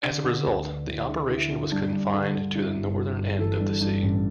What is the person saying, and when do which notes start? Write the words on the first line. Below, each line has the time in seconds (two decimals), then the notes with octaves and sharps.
As a result, the operation was confined to the northern end of the sea.
0.03 D3 D5
0.25 D3
0.45 D2 B4
0.66 D3
0.87 D2 E4
1.08 D3
1.29 D3 E4
1.50 D3
1.71 G2 D4
1.93 G2
2.14 D3
2.34 D3
2.55 G2 E4
2.76 G1
2.97 G1 F#4
3.18 G1
3.39 E3 A4
3.60 G2
3.81 G2
4.02 A1